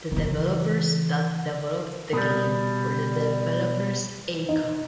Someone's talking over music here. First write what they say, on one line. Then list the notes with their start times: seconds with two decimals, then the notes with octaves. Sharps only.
The developers that developed the game were the developers Aicom.
0.12 C#3 E3
2.13 B2 G3
4.49 D#4